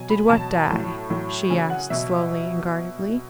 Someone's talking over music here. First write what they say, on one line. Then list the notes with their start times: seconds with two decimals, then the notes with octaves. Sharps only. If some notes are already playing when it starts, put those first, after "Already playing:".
"Did what die?" she asked slowly and guardedly....
Already playing: B2 F#3 G#5
0.10 B5
0.30 B2 F#3 A5
0.70 A2 F#3
1.10 A2 F#3
1.50 C#3 F#3 G#5
1.70 F#5
1.90 B2 F#3 E5